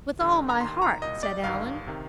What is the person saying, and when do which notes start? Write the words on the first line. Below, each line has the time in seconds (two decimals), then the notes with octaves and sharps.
"With all my heart," said Allan.
0.20 A1 G2 D3
0.49 A#5
0.60 D#2 D#3 C6
0.82 A#5
1.02 C2 A#2 D#5
1.23 D5
1.44 G1 G2 D#3 F5
1.87 C3 D#3